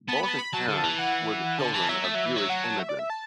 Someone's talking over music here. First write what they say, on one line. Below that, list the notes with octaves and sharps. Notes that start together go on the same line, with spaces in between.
Both his parents were the children of Jewish immigrants.
B3 A5
B5
B3
A5
B5
F#3 A5
D3
E3
F#5
D3 A5
E3 A5
F#3 E5
A3
F#3
E3
F#3
F#5
A5
E5
D5
E5
A5